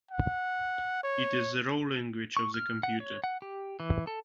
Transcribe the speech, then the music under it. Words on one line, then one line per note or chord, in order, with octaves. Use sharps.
It is the raw language of the computer.
F#5
C#5
C#6
F6
F#5
C#5
F#5
G4
E3
A4